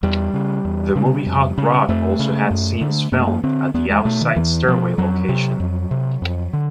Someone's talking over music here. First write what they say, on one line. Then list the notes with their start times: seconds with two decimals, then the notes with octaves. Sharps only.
The movie Hot Rod also had scenes filmed at the outside stairway location.
0.03 E2 G3
0.34 C#3
0.65 E2
0.96 C#3
1.26 F2
1.58 C#3
1.89 F2 A3
2.19 C#3
2.50 F#2
2.81 D3
3.12 F#2 A#3
3.20 A3
3.27 A#3
3.44 D3 C4
3.74 E2 B3
3.90 G#3
4.05 B2 A3
4.21 D#3
4.36 E2 E3
4.67 B2 F3
4.98 F2 F#3
5.29 C3
5.60 F2
5.91 C3
6.22 F2
6.53 D3